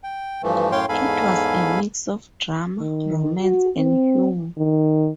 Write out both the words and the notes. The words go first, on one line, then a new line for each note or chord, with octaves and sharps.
It was a mix of drama, romance and humor.
G5
G2 E3 F3 A3
F#2 A2 C#5 F5 G5 C6
E2 G#2 A4 F5 G#5 B5
D#3
F#4
C4
D#3